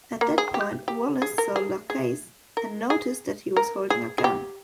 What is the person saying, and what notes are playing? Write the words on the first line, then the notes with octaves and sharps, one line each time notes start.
At that point Wallace saw Lacaze, and noticed that he was holding a gun.
A#3
G#4
G4
G4
G#4
A#4
G#4
G#4
A#4
G#4
A#4
G#4
G#4
G4